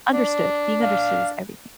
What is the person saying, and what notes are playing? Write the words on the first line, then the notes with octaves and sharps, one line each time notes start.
understood, being understood is everything.
D4
F5